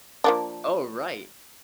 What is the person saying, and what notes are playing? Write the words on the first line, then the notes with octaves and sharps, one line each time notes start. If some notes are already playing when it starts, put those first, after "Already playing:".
Oh, right.
F3 A#3 D4